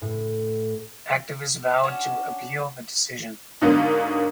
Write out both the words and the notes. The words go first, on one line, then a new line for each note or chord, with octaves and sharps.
Activists vowed to appeal the decision.
A2
C#4 D4 F#4 F#5
G#2 B2 D3 F#3 A#3 B3